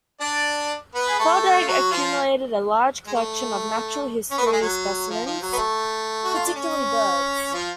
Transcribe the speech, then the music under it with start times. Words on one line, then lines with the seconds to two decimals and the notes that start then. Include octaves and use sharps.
Feldegg accumulated a large collection of natural history specimens, particularly birds.
0.21 D4 D5
0.95 B3 B4
1.09 G#4
1.19 A3 A4
1.62 F4
1.68 F#3 F#4
1.91 F3 F4
3.07 G#3
3.14 A3
4.31 C#4
4.38 B3
4.46 A3
4.52 G#3
4.61 F#3
5.10 F3
5.26 F3
5.42 F#3
5.53 B3
5.58 A3
6.24 F#4
6.34 F4
6.46 D4
6.56 C#4
7.53 F3 F4